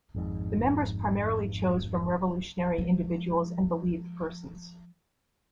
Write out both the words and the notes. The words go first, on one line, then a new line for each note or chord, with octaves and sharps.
The members primarily chose from revolutionary individuals and believed persons.
G#1 F2 G#2
F3 G#3